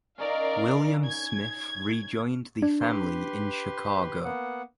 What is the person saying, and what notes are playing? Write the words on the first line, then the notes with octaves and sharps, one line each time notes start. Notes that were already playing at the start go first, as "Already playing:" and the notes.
William Smith rejoined the family in Chicago.
C#4 D#4 A#4 D5 F5
G#6
D4
G4 B4 C6
A#3 B3 F#5